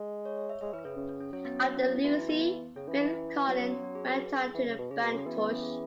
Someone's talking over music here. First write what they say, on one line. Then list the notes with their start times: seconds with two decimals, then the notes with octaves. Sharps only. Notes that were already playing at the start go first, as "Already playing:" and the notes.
After Lucy, Phil Collen went on to the band Tush.
Already playing: G#3
0.25 C#5
0.38 C#5
0.49 E5
0.61 G#3 E5
0.73 E3 B4
0.85 C#3 C#4
0.97 C#3
1.09 C#4
1.21 C#4
1.33 F#3 C#4
1.45 B3
1.56 C#4
1.69 B3
1.81 C#4
1.93 E4
2.04 E3 F#4
2.17 E4
2.29 B3
2.76 C#3 C#4
2.87 E3 C#4
3.00 E3 E4
3.12 E4
3.29 C#4
3.47 F#3 B3
3.59 C#4
3.71 F#4
3.83 F#4
3.95 G#4
4.07 B4
4.19 G#4
4.54 E3
4.66 C#3
4.79 B2
4.91 C#3 G#4
5.03 B2 F#4
5.14 C#3 C#4
5.26 E3 B3
5.38 B3
5.51 C#4
5.62 G#4